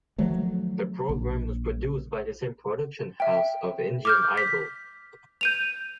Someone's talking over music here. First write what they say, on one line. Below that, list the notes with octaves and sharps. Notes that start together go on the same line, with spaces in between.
The program was produced by the same production house of "Indian Idol".
D#3 F3 F#3 A3
A#1
E5 G5
D6 F6 G6
B6
G6 D#7 F7